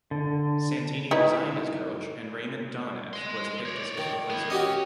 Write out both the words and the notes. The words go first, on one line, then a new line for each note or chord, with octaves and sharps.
Santini resigned as coach and Raymond Domenech was picked as his replacement.
D3
D#4 E4 B4
D#5 C6
C#5 D5
D#3
B3 E4
C#4 F#4 G4 D#5